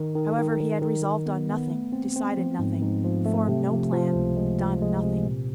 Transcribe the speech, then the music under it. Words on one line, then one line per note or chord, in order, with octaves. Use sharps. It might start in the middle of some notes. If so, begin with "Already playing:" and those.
However, he had resolved on nothing, decided nothing, formed no plan, done nothing.
Already playing: D#3
D#3
D#3
D#3
D#3
D#3
B3
B3
A3
C4
C4
F3
G#2
G#2
F3
A3
C3
F3
F3
C#2
G#3
F3
G#3
C3
A#2